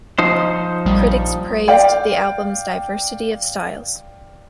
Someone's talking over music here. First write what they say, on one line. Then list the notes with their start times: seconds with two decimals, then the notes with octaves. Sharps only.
Critics praised the album's diversity of styles.
0.19 F3 D#4 C5
0.85 A#1 G3
1.68 D5 F5 G5